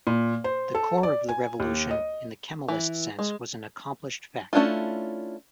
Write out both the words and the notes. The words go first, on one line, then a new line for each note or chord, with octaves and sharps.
The core of the revolution, in the Kemalist sense, was an accomplished fact.
A#2
C5
A4
D5
G#5
D#2
D#5
E3
G#3
A3 C#4 D4 E4 F4